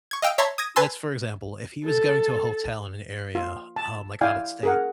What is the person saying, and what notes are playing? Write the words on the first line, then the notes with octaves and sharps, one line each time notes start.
Let's for example, if he was going to a hotel in an area, um, like out of state,
C#6 G#6
D#5 F5 G5 E6 D7
C#5 E5 A5 A#5 C6 G#6
D#6 G#6 A#6 D#7
B4 G#5 A5 C6 E6
A4
F4
A5
E4 D5 F5 G5 G#5
G#4 A#4 F#5